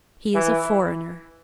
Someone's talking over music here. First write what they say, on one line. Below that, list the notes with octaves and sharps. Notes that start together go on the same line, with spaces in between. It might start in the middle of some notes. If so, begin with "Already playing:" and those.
"He is a foreigner."
E3